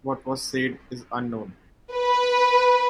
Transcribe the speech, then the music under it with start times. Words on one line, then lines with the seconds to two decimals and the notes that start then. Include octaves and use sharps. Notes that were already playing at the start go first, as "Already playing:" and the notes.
What was said is unknown.
1.93 B4